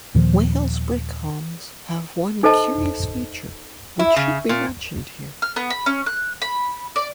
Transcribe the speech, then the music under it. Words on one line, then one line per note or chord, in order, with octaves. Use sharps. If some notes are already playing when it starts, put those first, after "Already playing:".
Wales brick homes have one curious feature which should be mentioned here.
D#2 A#2 D#3 F3
D#4 A4 C5 D#5 A5
E4
C#3
A#2
F6
B3
B5
C#4
F#6
B5
D5